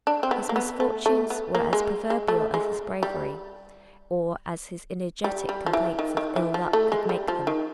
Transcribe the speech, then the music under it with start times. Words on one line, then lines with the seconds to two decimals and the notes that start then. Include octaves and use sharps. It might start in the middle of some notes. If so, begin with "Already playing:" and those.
His misfortunes were as proverbial as his bravery, or as his energetic complaints of "ill luck" could make them.
0.07 D4
0.23 C4
0.31 B3
0.49 A#3
0.56 B3
0.80 A3
1.06 A3
1.30 B3
1.55 A#3
1.73 G#3
2.10 G#3
2.28 A3
2.54 G#3
3.03 G3
5.24 G3
5.49 G3
5.66 F3
5.73 E3
5.99 D#3
6.17 D#3
6.36 E3
6.54 F3
6.73 A3
6.92 G#3
7.09 G3
7.28 F3
7.47 D#3